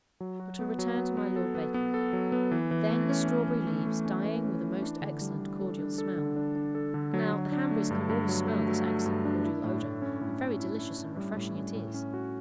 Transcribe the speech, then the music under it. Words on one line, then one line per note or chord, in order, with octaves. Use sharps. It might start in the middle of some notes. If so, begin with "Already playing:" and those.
But to return to my Lord Bacon: 'Then the strawberry leaves, dying with a most excellent cordial smell.' Now the Hanburys can always smell this excellent cordial odour, and very delicious and refreshing it is.
F#3
F#4
B3
F#3
B3
B3
A4
B3
B3
A4
F#3
B3
E3
E3
A3
C#4
C#4
E3
A3
A3
C#4
E3
C#4
E3
D4
D3
G3
D3
A4
D4
A4
D3
D4
D4
A4
D3
F#3
F#3
D4
A3
G2
G2
F#3
A3
F#3
A3
G2
D4
E4
A2
A2
C#4
A2
E4
E4
E4
E4
G3
A2
C#4
A2
C#4
F#4